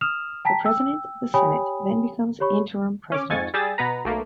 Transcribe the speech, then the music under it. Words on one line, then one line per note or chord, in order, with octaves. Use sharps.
The President of the Senate then becomes interim president.
D#6 F6 E7 F7
G5 A5 A#5 B6
G5 E6
G4 C#5 G5 G#5 B5 D#6
G4 C#5 B5 C#6
C#4 D6
F2 G#2 G#5 C#6 A6
G3 G4 G#4 D#6 E6 A6
B2 B3 B4 A#5
B1 A3 A#3